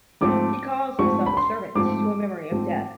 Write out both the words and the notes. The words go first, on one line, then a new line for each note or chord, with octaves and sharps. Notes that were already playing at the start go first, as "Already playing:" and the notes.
He calls himself a servant to a memory of death.
G#2 F3 A3 C4 D6
G#2 F3 A3 C4 C#6
B5
C6
G#2 F3 A3 C4 D6
G#2 F3 A3 C4